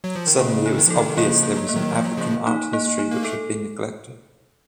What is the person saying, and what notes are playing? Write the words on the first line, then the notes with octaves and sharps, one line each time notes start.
Suddenly it was obvious there was an African art history which had been neglected.
F#3
F3
D#3
C#3 A#3
D#4
D#3
F3 A4
C3 D#3
C#3 F3 A#3
A#3
F#3
A3 A#3
D#3 F#3
F3 A#3
F#3
C#3 F3 A#3
D#4
A#3
D#4
A#3
A3 A4